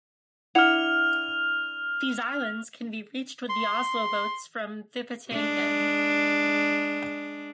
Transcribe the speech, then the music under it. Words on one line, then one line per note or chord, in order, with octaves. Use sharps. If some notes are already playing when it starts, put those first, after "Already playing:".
These islands can be reached with the Oslo-boats from Vippetangen.
D4 E4 F#5 F6 F7
C6
G#3 D4